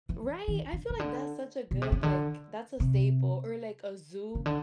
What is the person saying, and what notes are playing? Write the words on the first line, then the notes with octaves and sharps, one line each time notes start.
Right, I feel like that's such a good, like that's a staple or like a zoo.
E3
D#3
D3
C#3
D3
B2
C3
C#3
D3
C3
C#3
D3